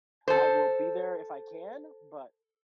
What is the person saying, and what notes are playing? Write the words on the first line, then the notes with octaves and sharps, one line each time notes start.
I will be there if I can, but"
A4 C5